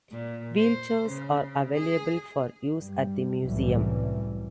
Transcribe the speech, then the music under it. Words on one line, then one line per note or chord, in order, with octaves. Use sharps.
Wheelchairs are available for use at the museum.
A#2
C5
C#3
G#4
G2 G3
C2 F#2 A2 E3 F#3 G3